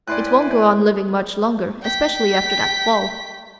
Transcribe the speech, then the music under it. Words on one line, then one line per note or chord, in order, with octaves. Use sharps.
It won't go on living much longer, especially after that fall.
A2 E4 B4 D5 G5 G#5 C6 F#6
G5 B6